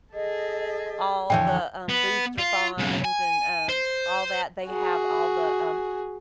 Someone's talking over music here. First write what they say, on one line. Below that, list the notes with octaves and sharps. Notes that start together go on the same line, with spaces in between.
all the, um, Boosterthons and, um, all that, they have all the, um
G#4 A4 D#5
F2 D3 E3 F3 C#5 G5
B3
F4
B1 C#3
G#5
C5
F#4 G#4